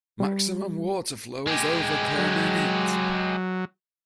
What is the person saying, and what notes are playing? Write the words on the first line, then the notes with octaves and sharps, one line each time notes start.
Maximum water flow is over per minute.
G3
G#3 G4
F#3